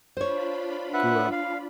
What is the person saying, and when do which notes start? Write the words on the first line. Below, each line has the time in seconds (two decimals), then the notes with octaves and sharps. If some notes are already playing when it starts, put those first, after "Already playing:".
grew up
0.17 D4 F4 C5 C#5 B5
0.94 B4 E5 F#5
1.32 F5